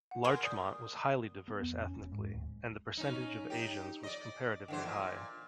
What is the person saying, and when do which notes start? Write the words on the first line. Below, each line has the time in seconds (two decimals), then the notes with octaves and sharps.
Larchmont was highly diverse ethnically, and the percentage of Asians was comparatively high.
0.11 F#5
0.24 A#3 G#4 C6
0.43 D5 D#6 G6
1.48 B3
1.63 F2
1.82 C#4
1.96 E1
2.12 G#2
2.33 D1
2.97 C#4 D#4
3.50 D#4 G4
4.03 D5 D#5
4.68 D3 E3 C5
4.83 A#2